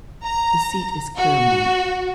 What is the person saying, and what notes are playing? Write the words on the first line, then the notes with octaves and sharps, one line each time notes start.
The seat is Clermont.
A#5
F#4